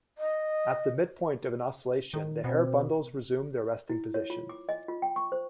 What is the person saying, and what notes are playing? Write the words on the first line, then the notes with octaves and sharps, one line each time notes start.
At the midpoint of an oscillation the hair bundles resume their resting position.
D#5
D#3
B2 C4
E4
C#5
F4
D6
D#5
F4
G5
C#6
C5